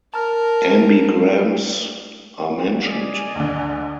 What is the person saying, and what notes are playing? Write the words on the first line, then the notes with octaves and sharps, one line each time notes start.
Ambigrams are mentioned.
A#4 A5 A#5 F6
D5 D#5 G#5
D2 D3